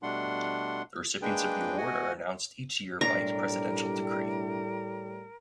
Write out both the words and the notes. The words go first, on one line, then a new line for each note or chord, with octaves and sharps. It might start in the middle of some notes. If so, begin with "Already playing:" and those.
The recipients of the award are announced each year by presidential decree.
B2 G3 A3 D4 F#5 C6
G#3 A#3 D4 G#4 B4 G5
A3 F#4 D#5 F#5 G#5
B1 A2 G3 D4 A#4 A#5